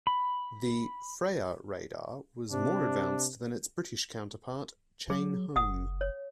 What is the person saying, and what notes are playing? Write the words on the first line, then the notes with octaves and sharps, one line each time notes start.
The "Freya" radar was more advanced than its British counterpart, Chain Home.
B5
C3 D4
F#3 G#4
F#1 F#5 D#6
C#5